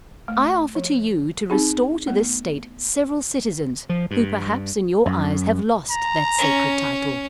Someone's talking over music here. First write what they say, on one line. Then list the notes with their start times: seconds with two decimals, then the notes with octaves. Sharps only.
I offer to you to restore to this state several citizens, who perhaps in your eyes have lost that sacred title.
0.28 A3
0.75 F3
1.50 C4 D#4 G#4
2.07 A3 B3
3.89 F3
4.11 G2
5.06 F#2
5.91 A#5
6.39 C#4